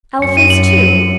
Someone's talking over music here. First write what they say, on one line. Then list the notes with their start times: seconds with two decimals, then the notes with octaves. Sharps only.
Elephants, too!
0.22 F#2 C#7
0.37 D#7
0.50 F#7